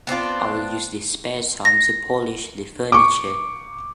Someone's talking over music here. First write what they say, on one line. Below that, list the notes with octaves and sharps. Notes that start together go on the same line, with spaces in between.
I will use this spare time to polish the furniture.
B3 C4 D4 F4
A#6
C#6 D6